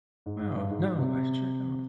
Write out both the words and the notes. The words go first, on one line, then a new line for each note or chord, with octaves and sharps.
Wow, no, I sure don't.
G#2
G#2
G2
G#2
C3